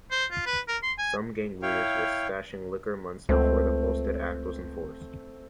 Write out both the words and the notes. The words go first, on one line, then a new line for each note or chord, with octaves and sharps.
Some gang leaders were stashing liquor months before the Volstead Act was enforced.
C5
F4
B4
A#4
C6
G#5
E4 C#5 F5 G5
C#2 A3 C4